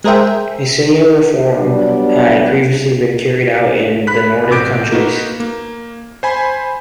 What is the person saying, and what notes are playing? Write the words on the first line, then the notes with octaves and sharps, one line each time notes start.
A similar reform had previously been carried out in the Nordic countries.
G#3 G#4 A#4 C5 E5 G5
F#3 G3 B3 D4
B5 F#6 B6
A1 C4 D6 G6 D7
A#3 D#4 F#4 B4
A#3
C5 G#5 B5